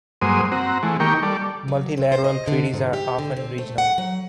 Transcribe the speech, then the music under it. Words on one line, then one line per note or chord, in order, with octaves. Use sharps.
Multilateral treaties are often regional.
G2 F#3 G#3 A#3 C5 D#6
C4 F#4 A#5
E3 G#3 A3
D#3 A#3 G4 A#4 G5 C#6
G3 A4 D5
F#3
C4
C5
D#5
D3
G#2
G4
D3
C4
A3
F#5
F#3